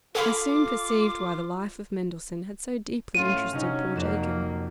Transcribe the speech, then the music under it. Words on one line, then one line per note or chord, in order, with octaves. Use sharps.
I soon perceived why the life of Mendelssohn had so deeply interested poor Jacob.
F4 G#4 A4 F5 B5 D6
A2 C#4 F4 D#7
G2 C3 F#3 C#4 D#4
F2 F#3 A#3 E7